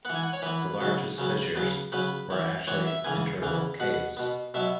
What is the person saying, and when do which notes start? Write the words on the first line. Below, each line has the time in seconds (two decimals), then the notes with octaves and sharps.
The largest fissures were actually enterable caves.
0.05 B3 F#5
0.10 E3
0.15 G#5
0.23 F#5
0.33 C#5
0.42 E3 B3 B4
0.80 C#3 F#3 B3
1.18 C#3 F#3 B3
1.56 C#3 F#3 B3
1.92 C#3 F#3 B3 B4
2.30 E3 B3
2.67 E3 B3 C#5
2.87 E5
3.04 C#3 E3 B3 G#5
3.42 C#3 E3 B3
3.80 B2 B3 F#5
4.17 B2 B3
4.54 B2 F#3 B3 E5